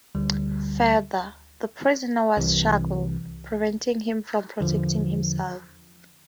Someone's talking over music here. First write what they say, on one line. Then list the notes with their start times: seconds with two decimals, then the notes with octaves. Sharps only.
Further, the prisoner was shackled, preventing him from protecting himself.
0.15 D2 D3 G3
2.37 C2 C3 E3
4.61 E2 D3 F3